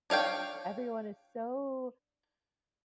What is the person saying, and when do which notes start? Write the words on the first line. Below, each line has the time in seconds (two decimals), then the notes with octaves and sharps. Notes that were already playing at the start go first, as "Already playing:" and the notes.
everyone is so,
0.10 D4 C#5 F5 G5